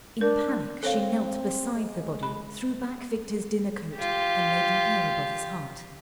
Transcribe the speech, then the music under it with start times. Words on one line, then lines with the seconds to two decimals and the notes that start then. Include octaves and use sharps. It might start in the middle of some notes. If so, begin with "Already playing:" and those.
In panic she knelt beside the body, threw back Victor's dinner-coat, and laid an ear above his heart.
0.21 D4 A#4
0.83 C4 A4 C#5 F5
1.74 G#3
2.23 B5
3.97 F4 G4